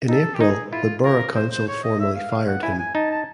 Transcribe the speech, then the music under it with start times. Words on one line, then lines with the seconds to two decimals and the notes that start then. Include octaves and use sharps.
In April the borough council formally fired him.
0.09 D#4 A4
0.34 G4
0.40 D#4 G#4
0.72 E4 F4
1.04 F4 A#4
1.35 C5
1.52 C5
1.68 C#5
1.84 D#5
1.99 E5
2.16 F5
2.31 F5
2.47 F#5
2.63 E4 G#5
2.79 G#5
2.95 D#4 A5
3.10 A5